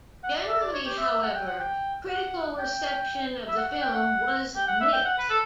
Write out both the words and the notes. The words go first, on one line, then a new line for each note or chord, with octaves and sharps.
Generally, however, critical reception of the film was mixed.
F#5
F#5
D5
E5
D5
C#5
G4
E5
E5
F#5
G5
F#5
G5
F#5
G5
E5
F#5
F#5
G5
F#5
G5
F#5
E5
G5
F#5
B4
A4